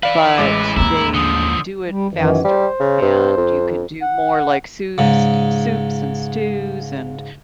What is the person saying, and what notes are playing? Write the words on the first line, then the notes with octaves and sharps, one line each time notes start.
but they do it faster, and you can do more like sous s soups and stews and,
E4 B4 D5 F5
A1 G#3 D#5 D6
D#2 A#3 E4 A#5
D3 F3 D#6
G3
F#2 D#3 E3
G3 C5
C#3
G2
F2
F#5
G#2 C#3